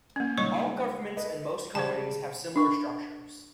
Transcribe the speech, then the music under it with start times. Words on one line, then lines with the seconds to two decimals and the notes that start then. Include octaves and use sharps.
All governments and most companies have similar structures.
0.16 A#3 C#4
0.38 C#2 D#3 G3 C#5 C#6
1.17 A4 B4 D#5
1.75 C#3 G3 G#3 C5 A5
2.56 D4 C#6